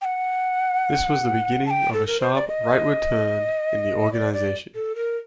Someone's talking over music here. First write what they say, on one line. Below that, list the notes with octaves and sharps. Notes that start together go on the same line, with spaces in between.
This was the beginning of a sharp rightward turn in the organization.
G5
F#5
A5
G5
A4
A#4
C5
D5
D#5
D5
D5
A4
A#4